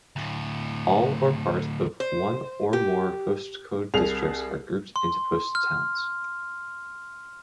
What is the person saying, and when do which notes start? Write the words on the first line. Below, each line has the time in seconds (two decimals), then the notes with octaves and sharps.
All, or part, of one or more postcode districts are grouped into post towns.
0.16 D2 A2
2.00 C5
2.73 G4
3.94 C2 G#4 F7
4.96 C6
5.55 F6